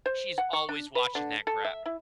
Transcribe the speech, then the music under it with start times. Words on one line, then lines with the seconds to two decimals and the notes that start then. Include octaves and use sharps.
she's always watching that crap.
0.06 C5
0.38 F#5
0.53 C#6
0.69 D4
0.95 B4
1.15 D3
1.47 A4
1.65 E5
1.86 E4